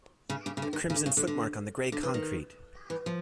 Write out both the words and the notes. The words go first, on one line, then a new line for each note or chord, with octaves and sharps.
A crimson footmark on the grey concrete!
C#3
C#3
C#3
D3
D#3
C#3
D3
C#3
D3
D3
D3
E3
D#3
E3
F3